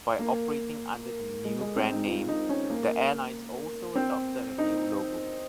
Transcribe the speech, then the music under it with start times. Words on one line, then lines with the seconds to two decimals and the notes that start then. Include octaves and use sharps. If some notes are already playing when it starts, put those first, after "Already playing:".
By operating under the new brand name, the airlines also adopted a new logo.
0.19 A#3
1.44 G#3
1.60 G#3
1.76 C4
1.92 D#4
2.07 F4
2.28 D#4
2.49 C#4
2.70 A#3
3.95 C4
4.58 D#4